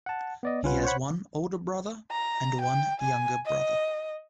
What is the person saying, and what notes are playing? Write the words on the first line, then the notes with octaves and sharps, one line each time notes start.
He has one older brother and one younger brother.
F#5 A5
B3 D5 D#5
C2 C#4 F4 B4 F#5
C5 C#5 F#5 B5
A#5
G5
G#5
D#5